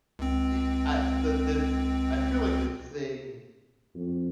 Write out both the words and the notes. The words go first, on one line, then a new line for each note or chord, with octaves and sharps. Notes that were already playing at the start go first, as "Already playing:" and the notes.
I I the the th I feel like the thing
C#2 C4
F2